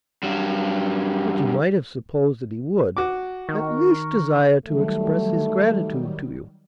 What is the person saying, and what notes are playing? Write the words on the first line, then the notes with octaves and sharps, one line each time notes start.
"But you might have supposed that he would, at least, desire to express his gratitude to you."
G2 F#3
F#4 D6
D#3 A#4 C#6
D#3 F#3 G3 A3